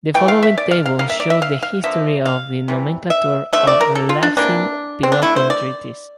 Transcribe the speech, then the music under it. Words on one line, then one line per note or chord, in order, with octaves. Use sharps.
The following table shows the history of the nomenclature of Relapsing polychondritis.
E3 A3 G5
F5
E5
D5
F5
F5
D3 G3 A#3 F5
E5
D5
E5
F5
F5
D3 F3 A#3 E5
F5
C3 E3 G3
E5
D3 F3 A3 E5
D5
A#4
A4
F4
D4
C3 E3 A#3 D4
C4
D4
D3 A3 E4
C5
D5